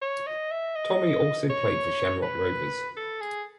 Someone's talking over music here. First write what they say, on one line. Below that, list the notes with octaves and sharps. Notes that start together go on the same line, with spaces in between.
Tommy also played for Shamrock Rovers.
C#5
D#5
E5
D#5
C#5
B4
A4
G#4